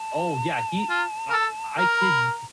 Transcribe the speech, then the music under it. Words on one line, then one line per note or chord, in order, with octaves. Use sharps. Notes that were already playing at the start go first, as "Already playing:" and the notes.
Oh yeah, he I I could d
Already playing: A5
F4
A#4
A4
A#4 A#5
B5
A#5